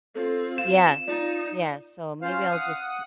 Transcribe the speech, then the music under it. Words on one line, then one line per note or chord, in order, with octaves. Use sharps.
Yes, yes. So maybe I'll just
C4 F4 A4
F5 E7
D#4 F4 D5
C#4 F4 C5 F5
F#5 D#6